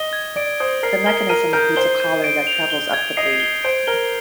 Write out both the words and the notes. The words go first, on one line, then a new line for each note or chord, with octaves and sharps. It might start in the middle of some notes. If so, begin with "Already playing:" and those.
The mechanism includes a collar that travels up the blade.
Already playing: D#5 G7
G#6
D5 D7
C5 D#6
A#4 C7
A#4 G7
A#4 D#7
A#4 G6
C5 G7
G6
D7
F7
G7
G#6
D#5 C7
G7
C5 D7
A#4 G7